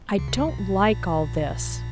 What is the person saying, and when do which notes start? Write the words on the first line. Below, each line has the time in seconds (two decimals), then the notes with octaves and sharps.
I don't like all this.
0.18 C#2 C#3
0.28 C2 C3
0.38 C#2 C#3
0.48 B1 B2
0.58 A#1 A#2